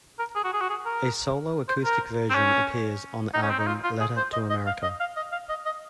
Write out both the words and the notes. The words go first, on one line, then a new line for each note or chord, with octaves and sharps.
A solo acoustic version appears on the album "Letter to America".
A#4
G#4
F#4
G#4
F#4
G#4
A#4
C5
A#4
C4
C#4
D#4
C#4
C4
D#4
F4
F4
G#4
C5
D#5
D#5
F5
D#5
F5
D#5
F5
D#5
D#5